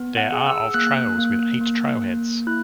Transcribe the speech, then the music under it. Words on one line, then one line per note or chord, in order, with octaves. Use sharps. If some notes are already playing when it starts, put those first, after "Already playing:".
There are of trails with eight trailheads.
Already playing: B3
F#5
G#4
E6
A#3 F#6
A#3
A#3
A#3
E4 F#6